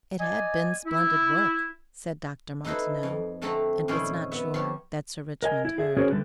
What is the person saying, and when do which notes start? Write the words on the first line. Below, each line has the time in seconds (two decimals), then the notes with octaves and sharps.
"It had been splendid work," said Dr. Martineau, and was not sure that Sir Richmond heard.
0.19 D5 D#5 G#5
0.85 E4
2.65 D#4 E4 A4 B4 C5 D#5
3.03 F2
3.42 D3 A3 C4 A4 A#5 B5
3.88 F2 A#2 D#3 C#4 E4 C5
4.31 B3 E5
4.54 F3 G4 C#5
5.42 A#4 D#5 G#5
5.65 E4
5.78 G#4 E5
5.97 C#4 F#4 G#4 A#4 C5 C#5
6.10 D3 G3 A3 A4 B4